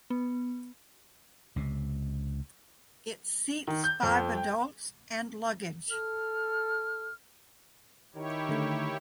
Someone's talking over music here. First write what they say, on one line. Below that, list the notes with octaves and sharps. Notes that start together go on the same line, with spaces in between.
It seats five adults and luggage.
B3
C#2 C3
D#3
G6
F2
G5
A4 F6
D#3 E4 G4 C#5
D3 A3